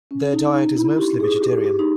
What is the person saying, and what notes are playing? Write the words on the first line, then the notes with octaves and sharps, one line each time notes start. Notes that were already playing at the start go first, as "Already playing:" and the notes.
Their diet is mostly vegetarian.
C#4
D#4
D#4
E4
G4
G#4
G4
G4
D#4